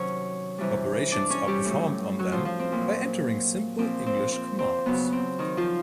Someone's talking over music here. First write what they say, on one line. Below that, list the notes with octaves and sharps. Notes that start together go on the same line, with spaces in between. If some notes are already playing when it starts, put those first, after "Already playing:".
Operations are performed on them by entering simple English commands.
Already playing: C3 D#3 F#3 C#4 C#5
C3 E3 G3
D4 D5
C#4 C#5
G3 G4
A2 F#3
F#3 F#4
F3 F4
F3 F4
C4
A#2 F#3
A#2 F3 C4
C4
C4
C4
C#3 F#3 B3
C4
D#3 D#4
F3 F4